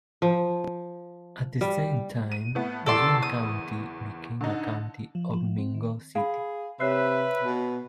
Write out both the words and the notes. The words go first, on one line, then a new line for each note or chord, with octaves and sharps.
At the same time, Yin county became a county of Ningbo city.
F3
G3
D#7
A2 A3 B3
F#1 E2 A4 D5 C6
D#6
D3 D#4
F3
F3
C4
D#3
G#4 F5 B5
C3 B4 C#5 E5 F#6 C7
B2